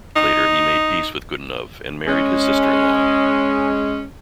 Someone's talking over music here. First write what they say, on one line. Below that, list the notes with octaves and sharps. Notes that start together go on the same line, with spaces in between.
Later he made peace with Godunov and married his sister-in-law.
D#4
G#3 C#4